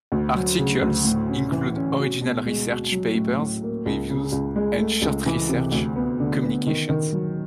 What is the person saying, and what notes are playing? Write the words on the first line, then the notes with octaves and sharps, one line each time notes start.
Articles include original research papers, reviews, and short research communications.
D2
F#3
C#3
D2
A2
C#4
E3
C#4
F#4
B2
G#3
F#4
F#3
A2
A2
A#3
C#2
C#3
C#2
G#3
A3
C#2
E3
C3
D2
B3
D3
B3
D#3
D#3
F#3